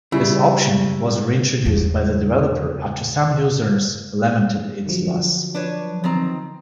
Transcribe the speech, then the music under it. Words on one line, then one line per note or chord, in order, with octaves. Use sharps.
This option was reintroduced by the developer after some users lamented its loss.
C#3 G3 E4
E2 C#3
D3 F3 F#3
D4 B4 C#5
D#3 C4 A#5